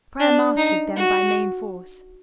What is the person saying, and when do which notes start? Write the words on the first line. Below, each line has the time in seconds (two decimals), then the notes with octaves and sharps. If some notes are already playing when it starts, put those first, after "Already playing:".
Prayer mastered them by main force.
0.20 D4
0.58 D#4
0.96 F#4